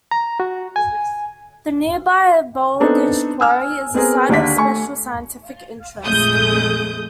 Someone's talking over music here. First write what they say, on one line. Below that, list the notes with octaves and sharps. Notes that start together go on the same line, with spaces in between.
The nearby Bowlditch Quarry is a Site of Special Scientific Interest.
A#5
F#4
G#5
B3 C4 D4 D#4 A4
G#5 E6 F6
B3 C4 G#4 A#4
D#2 D3 D4 D5 B6
A3 G#5 C#6
A#1 F2 G#3 A3 D#6 G6